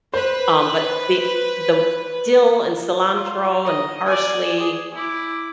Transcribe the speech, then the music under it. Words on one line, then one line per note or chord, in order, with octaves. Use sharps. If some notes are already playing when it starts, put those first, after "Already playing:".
um, but the the dill and cilantro and parsley,
B4 C5
F4
D#5
D5 G#5
G#4
E4 D6